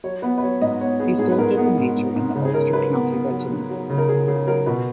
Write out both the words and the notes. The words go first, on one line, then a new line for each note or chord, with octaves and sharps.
He served as a Major in the Ulster County Regiment.
F#3 C#5
B3 B4
B4
F#3 C#5
G#2 D#5
B3 C#5
B3 G#4
G#2 G#4
B4
G#2 A#4
B3 G#4
G#2
G#2
G#2
C#3
G#4
C#3 A#4
F#3 B4
B3
B3
F#3
F#3
F#3
C#3
A#4
C#3 G#4
C#3 G#4
F#3 A#4
B2 B4